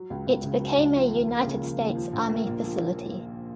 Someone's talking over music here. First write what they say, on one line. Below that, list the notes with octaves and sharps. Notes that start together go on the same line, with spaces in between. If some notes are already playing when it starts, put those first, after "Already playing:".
It became a United States Army facility.
Already playing: F#3
C#2
C#2
C#3
F#3
C#2
F3
D#2
A#3
C#3
F3
D#2
F3
A#1
A#3
A#2
F3